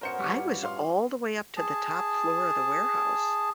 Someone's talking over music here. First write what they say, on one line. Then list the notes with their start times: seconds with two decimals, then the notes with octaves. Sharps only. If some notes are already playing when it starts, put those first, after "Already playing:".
I was all the way up to the top floor of the warehouse
0.01 F#3 B3 C#4 A#4 C5 C#7
0.18 G3 C#6
0.34 G2 F4
0.63 F5 C6
1.57 G#4 A5